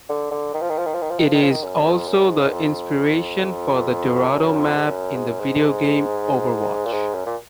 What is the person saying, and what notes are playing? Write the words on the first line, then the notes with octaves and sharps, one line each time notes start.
It is also the inspiration for the Dorado map in the video game Overwatch.
D3
D3
D#3
F3
D#3
F3
D#3
F3
D#3
F3
D#3
F3
D#3
F3
D#3
F#2
F2
F#2
G#2
F2
F#2
F2
G#2
F#2
G#2
F#2
G#2
A#2
G#2
F#2
A#2